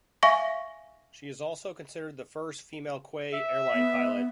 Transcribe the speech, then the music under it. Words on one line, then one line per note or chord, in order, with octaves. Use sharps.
She is also considered the first female Kwe airline pilot.
E5 F5 G#5 C#6 A#6
E5
B3